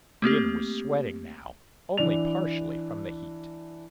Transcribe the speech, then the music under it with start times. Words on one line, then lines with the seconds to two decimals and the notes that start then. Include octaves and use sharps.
Brion was sweating now, only partially from the heat.
0.22 A3 A#3 C4 G4
1.97 E3 D4 F7